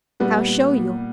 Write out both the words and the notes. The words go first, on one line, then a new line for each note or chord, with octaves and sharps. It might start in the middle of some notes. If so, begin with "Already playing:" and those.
I'll show you.
A#2 G3 B3
A#2
A#2